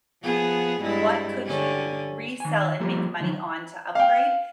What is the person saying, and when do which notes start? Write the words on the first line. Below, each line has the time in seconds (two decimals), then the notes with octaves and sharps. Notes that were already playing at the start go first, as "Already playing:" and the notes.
what could you resell and make money on to upgrade,
0.23 F3 B3 G#4
0.81 G2 G#3 E4
1.45 D3 C#4 G4
2.40 D#3 G#5
2.80 F3 G3 A#3 G4 A4
3.20 A2 D3 D#3 F3 F#3
3.95 F5 G5